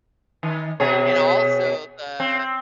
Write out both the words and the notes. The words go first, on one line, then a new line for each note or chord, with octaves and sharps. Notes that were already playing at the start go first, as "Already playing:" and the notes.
and also the
D#3
B2 G#4 C#5
C4